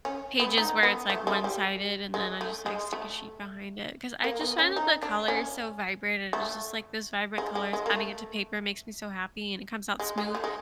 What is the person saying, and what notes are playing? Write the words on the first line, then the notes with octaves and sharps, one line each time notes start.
pages where it's, like, one-sided, and then I just, like, stick a sheet behind it, 'cause I just find that the color is so vibrant, and it's just, like, those vibrant colors adding it to paper makes me so happy, and it comes out smooth,
C#4
B3
D#4
B3
A3
G#3
G3
G#3
A3
G#3
A3
A#3
B3
C#4
D#4
D4
C#4
A3
G#3
G#3
G#3
A#3
A3
G#3
G#3
A3
G#3